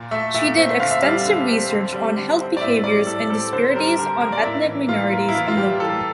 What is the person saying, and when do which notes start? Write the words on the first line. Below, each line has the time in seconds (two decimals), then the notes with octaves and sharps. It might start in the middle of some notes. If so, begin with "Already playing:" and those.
She did extensive research on health behaviors and disparities on ethnic minorities and women.
Already playing: A#2
0.11 A3 E5
0.34 A#2 E5
0.57 C4 E5
0.80 D3 F5
0.91 E5
1.02 G3 F5
1.26 D3
1.48 C4
1.70 D3
1.93 G3
2.16 D3
2.39 C4
2.57 D5
2.61 A2 E5
2.84 G3 D5
3.07 A2 A4
3.30 C4 A4
3.53 D3 C5
3.71 C5
3.75 G3 A#4
3.98 D3 A#4
4.21 A#3 A#4
4.32 D5
4.43 A2 E5
4.66 E3
4.89 A2 F4
5.12 A#3
5.29 E4
5.35 E3 F4
5.48 F4
5.57 G3 G4
5.80 E3 A4